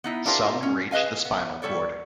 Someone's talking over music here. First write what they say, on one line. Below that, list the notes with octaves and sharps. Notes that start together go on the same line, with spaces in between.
Some reach the spinal cord.
B3 D#4 E4
D4 E4 F4 G4 A#4 C5
C#4
G#4 B4 D#5 F5 G#5
B3
G3 A4 C#5 D5